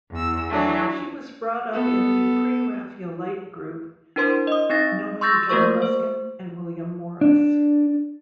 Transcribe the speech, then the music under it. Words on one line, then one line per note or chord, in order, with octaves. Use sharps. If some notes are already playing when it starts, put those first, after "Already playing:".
She was brought up in the Pre-Raphaelite group, knowing John Ruskin and William Morris.
E2 E6
E3 F#3 A3 D4
B3 A4
D4 E4 A#4 C5 C6
D#5 D#6
C4 D#4 A6 A#6
C6 C#6 E6 G6 A6 A#6
A3 A#3 F#4 A#4 C5 C#6
C5
D4